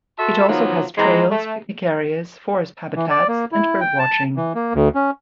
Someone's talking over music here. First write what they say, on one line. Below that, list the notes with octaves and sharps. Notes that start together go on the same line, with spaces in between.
It also has trails, picnic areas, forest habitats, and bird watching.
F#4 A4 E5 A5 C6
D#3 F3 F#3 A#3 B3
E3 G#3 C4 A#5
A3
E3
D5
A#3
E4
G5
A5
E3
A#3
D2
C#4